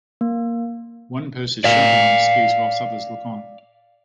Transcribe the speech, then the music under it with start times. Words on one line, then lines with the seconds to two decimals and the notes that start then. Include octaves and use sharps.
One person is jumping on skis while others look on.
0.21 A#3
1.64 D5 F5